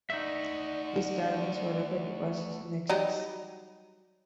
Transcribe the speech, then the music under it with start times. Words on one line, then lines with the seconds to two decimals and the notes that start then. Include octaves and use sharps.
These gatherings were referred to as "synaxes".
0.10 A3 D#4 F#4 D5 E5
2.89 F#3 G3 D#4